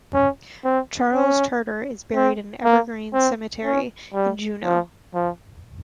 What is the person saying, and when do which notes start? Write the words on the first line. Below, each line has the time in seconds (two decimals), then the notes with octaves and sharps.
Charles Charter is buried in Evergreen Cemetery, in Juneau.
0.14 C#4
0.64 C4
1.15 C#4
2.15 C4
2.64 A#3
3.14 C4
3.65 C#4
4.14 G3
4.64 F3
5.14 F3